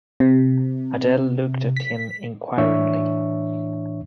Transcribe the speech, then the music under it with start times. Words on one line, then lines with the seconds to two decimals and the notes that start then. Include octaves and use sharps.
Adele looked at him inquiringly.
0.20 C3
1.77 B6
2.58 A2 E3 D4 C#5 E5 C#6